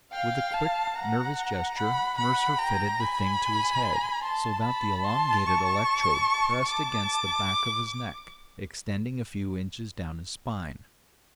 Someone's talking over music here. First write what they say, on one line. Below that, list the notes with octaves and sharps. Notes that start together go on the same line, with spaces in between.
With a quick, nervous gesture, Mercer fitted the thing to his head, so that the elongated electrode pressed against the back of his neck, extending a few inches down his spine.
F5 G5
A5
F#5 A#5
F#5 B5
F#5 B5
G5 A#5
G#5 B5
G#5
A5 C6
B5
A5 C6
C#6
A5
A5 D6